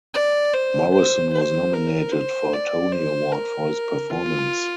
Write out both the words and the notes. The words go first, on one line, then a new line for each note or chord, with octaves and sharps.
Morrison was nominated for a Tony Award for his performance.
D5
C5
C5
C5
A#4
C5
D5
C5
A#4
F4